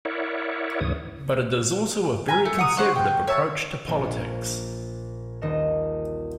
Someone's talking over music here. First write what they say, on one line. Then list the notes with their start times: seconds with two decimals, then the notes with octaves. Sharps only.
But it is also a very conservative approach to politics.
0.05 E4 A#4 C#5 D5 E5 F#5
0.80 D2 G#2 C#3 E3 C#5 D#6
2.28 G#5 A#5 B5
2.45 A3
2.59 F#5 A#5 D#6
2.77 D4 C5 F#5 C#6
2.96 G5
3.28 C#5 E5 A5
3.88 A#1
5.42 D#1 D#4 D#5 E7